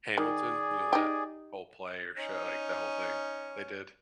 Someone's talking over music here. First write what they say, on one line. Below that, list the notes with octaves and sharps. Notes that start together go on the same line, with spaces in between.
Hamilton, you know that whole play or show like the whole thing they did?
D#3 G#4 D5 G#5
D#4 G4
C#4 D#4